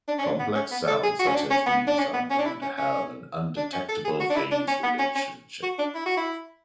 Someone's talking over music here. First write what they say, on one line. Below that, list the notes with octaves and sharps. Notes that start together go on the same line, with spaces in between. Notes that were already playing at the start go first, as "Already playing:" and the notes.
Complex sounds such as these are known to have an undetectable phase relationship.
D4
C#4
D4
B3
C#4
B3
A4
G#4
F#4
C#4
D4
C#4
B3
D4
C#4
B3
C#4
D4
E4
C#4
C#4
D4
C#4
A4
G#4
F#4
D4
E4
D4
C#4
B3
C#4
C#4
F#4
D4
E4
F#4
E4